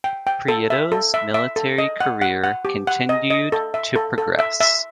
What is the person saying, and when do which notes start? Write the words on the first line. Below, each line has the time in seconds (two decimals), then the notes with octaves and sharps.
Prieto's military career continued to progress.
0.04 G5
0.27 G5
0.48 A4
0.70 E5
0.92 A4
1.14 E5
1.34 E5
1.56 A4
1.78 D#5
2.01 F#5
2.22 F#5
2.44 F#5
2.65 G4
2.87 F#5
3.09 D#5
3.30 D#5
3.52 A4
3.74 E5
3.96 A4
4.18 A4
4.39 E5
4.61 E5